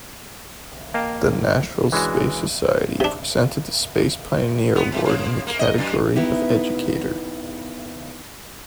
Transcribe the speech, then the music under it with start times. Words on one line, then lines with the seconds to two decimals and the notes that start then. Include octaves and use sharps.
The National Space Society presented the Space Pioneer Award in the category of Educator.
0.94 A#3 A#4 D#5 F5 G5 A5
1.92 E3 G#3 C#4 D4 F#4
3.00 C3 D4
4.76 B3
4.92 B2
5.05 C3
5.47 A#3
5.59 D#5
5.78 F#2
6.16 B3 D#4 E4 G4